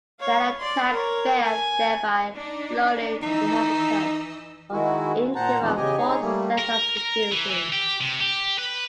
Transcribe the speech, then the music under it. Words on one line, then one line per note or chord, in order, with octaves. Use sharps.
The attack failed, thereby lulling the inhabitants of into a false sense of security.
C#5 F5
D5 C6
A#4 C#5
G#5
D4 D#4
E3 D#4 D#5 E6
D#3 G#3 E4 F#4
A#2 C5 F#5 A5 A#5
F2 B2 E3 G#3 B3 D4
C#3 G4 D#5 G#5
D#4 G#4 C#5
G3 A3 A#3
A#4
A#4
E3
E3
G4
C3
G4
B4